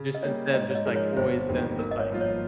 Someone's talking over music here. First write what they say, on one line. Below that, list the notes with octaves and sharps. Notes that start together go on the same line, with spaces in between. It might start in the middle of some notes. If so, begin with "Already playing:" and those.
Just instead of just, like, always them just, like,
Already playing: C#3
D#5
G3 A#3 C#5
G#2 D#5
C#5
D#5
F3 G#3 D#4 A#4
C#5
G1 C5
F2 D#3 G3 A#3
G#1 A#4
D#5
C#5
G2 F3 A#3 F4
C#5